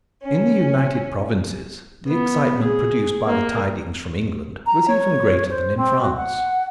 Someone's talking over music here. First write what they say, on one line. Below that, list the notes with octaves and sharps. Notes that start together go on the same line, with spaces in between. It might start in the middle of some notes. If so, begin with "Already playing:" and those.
In the United Provinces the excitement produced by the tidings from England was even greater than in France.
C#4
B3
G#4
A#3
A#5
C#5
C5
C4
F#4
F#5